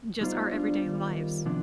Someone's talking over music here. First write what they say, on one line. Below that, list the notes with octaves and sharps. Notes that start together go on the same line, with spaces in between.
just our everyday lives.
G3 B3 D#4 F4 C5
D4
D#3
C3 F3 B3 D4